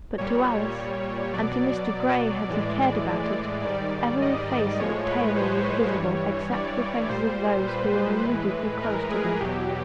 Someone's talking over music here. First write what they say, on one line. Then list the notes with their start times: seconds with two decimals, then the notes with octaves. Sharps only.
But to Alice,--and to Mr. Grey, had he cared about it,--every face at the table was visible except the faces of those who were immediately close to them.
0.18 A#2 G3 C#5
1.33 B2 F#3 D5
2.49 A2 E3 G#3
3.64 G#2 D#3 G3 D5
4.21 D#5
4.51 D5
4.79 A2 F3 G#3 C#5
5.07 B4
5.37 C5
5.94 G2 E3 G3 C#5
6.52 D5
7.09 A#2 G3 C5
7.67 B4
8.24 A2 E3 G#3
8.82 A#4
9.11 G#4
9.40 E2 B2 F#3 G4